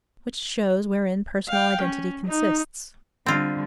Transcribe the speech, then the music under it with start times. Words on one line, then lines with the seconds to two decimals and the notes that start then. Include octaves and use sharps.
Which shows wherein Personal identity consists.
1.49 F5 G5
1.82 C#4
2.26 D#4
3.26 D3 G3 C4 F4